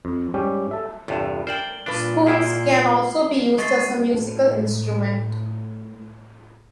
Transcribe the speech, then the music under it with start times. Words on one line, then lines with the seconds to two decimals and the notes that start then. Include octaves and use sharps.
Spoons can also be used as a musical instrument.
0.05 F2
0.34 G#2 G3 C#4 G4
0.71 A4 E5
1.08 G1 E2 G2 C3
1.47 A#4 C5 D5 G5 F6 F#7 G7
1.86 G2 A#2 F3 D4 B4
2.26 G#2 F3 E4 G#4 G5 C7
3.58 G#3 C#6 A6 C7
4.14 A2 A3